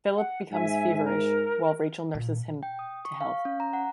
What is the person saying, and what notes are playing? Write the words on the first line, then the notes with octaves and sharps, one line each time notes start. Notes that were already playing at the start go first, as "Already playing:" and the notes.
Philip becomes feverish, while Rachel nurses him to health.
F#5
G#2 E5 G#5
A#4
A#2
G5
D#6
C#6
F5
C#4
A#5
F#5